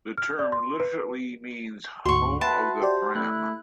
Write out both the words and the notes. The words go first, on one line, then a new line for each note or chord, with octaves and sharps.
The term literally means "home of the Fram".
F6
D5
C6
B4
D2 G#2 F#4 C6 C#6
B4 E5 F#5 A5 C6
G4 C5 D5
A3 E4 F#6